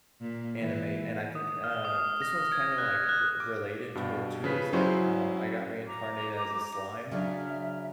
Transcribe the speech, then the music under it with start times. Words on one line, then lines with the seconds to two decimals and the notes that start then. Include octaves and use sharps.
anime, and I think, uh, this one's kinda, like, r related to it, too is, like, um, I Got Reincarnated as a Slime.
0.20 A#2
0.58 E3
1.35 D#6
1.64 F6
1.85 D#6
2.22 A#6
2.52 G#6
2.78 F#6
3.09 F#6
3.40 D6
3.95 G2 B2
4.44 C#3 F3 B4 B6
4.73 F#3 C#4 E4 G#4 C5 C#6
5.87 A#5 D6
7.11 C#3 F#3 D4 E5 F6